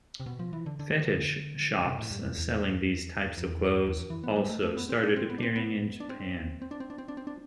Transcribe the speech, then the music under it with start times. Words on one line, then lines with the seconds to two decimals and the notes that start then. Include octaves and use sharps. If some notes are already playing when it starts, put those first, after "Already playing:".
Fetish shops selling these types of clothes also started appearing in Japan.
0.20 C3
0.26 B2
0.39 F3
0.53 E3
0.66 D3
0.79 D3
1.85 C3
1.99 A2
2.11 G2
2.25 F2
2.38 E2
3.37 F2
3.44 E2
3.87 E2
3.97 F2
4.10 E3
4.24 B3
4.36 G3
4.49 A3
4.63 A3
4.77 B3
4.89 C4
5.03 D4
5.16 C4
5.30 B3
5.38 D4
5.43 C4
5.56 B3
6.00 D4
6.09 C4
6.62 C4
6.71 D4
6.80 C4
6.90 D4
6.98 C4
7.08 D4
7.17 C4
7.27 D4